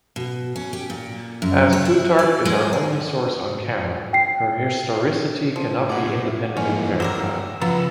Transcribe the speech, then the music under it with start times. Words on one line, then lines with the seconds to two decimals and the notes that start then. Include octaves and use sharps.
As Plutarch is our only source on Camma, her historicity cannot be independently verified.
0.16 B2
0.56 C#4
0.73 G4
0.90 A#2
1.42 F#2
1.73 C#5
1.85 E4
2.19 D5
2.45 G#3
2.73 G#4
4.13 G5 C7
5.56 F3
5.89 A2 F#5 D6
6.57 G2 E3 F3 A3 A#3 C#4 D#4
7.00 F#3 G4 A#4 E6
7.61 C#3 F3 F#3 B3 A#5